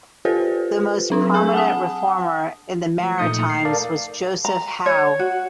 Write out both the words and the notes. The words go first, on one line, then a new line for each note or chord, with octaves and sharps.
The most prominent Reformer in the Maritimes was Joseph Howe.
F4 G4 A4 B4 C5
F#3 C4 D4
G#4 G#5 B5 E6
F#5 G#5 A5 D#6
F3 A3
A#2 A3 D#4 D#6 G6 C#7
C7
A4 A#4 D5 F5 A5
A#5
C#5
F#4